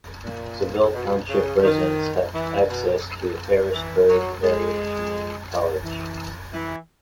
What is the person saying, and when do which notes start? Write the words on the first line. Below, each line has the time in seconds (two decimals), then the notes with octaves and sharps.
Saville Township residents have access to Harrisburg Area Community College.
0.25 A#2
0.94 B2
1.30 C#3
1.64 D#3
2.34 E3
2.69 B2
3.74 E3
4.08 F#3
4.43 G#3
5.83 E3
6.53 E3